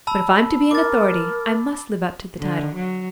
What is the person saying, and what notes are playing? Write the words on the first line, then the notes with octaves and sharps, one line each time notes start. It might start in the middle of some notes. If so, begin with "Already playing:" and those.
But if I'm to be an authority, I must live up to the title.
A5 B5 E6
A#4 D6 A6
D3
F#3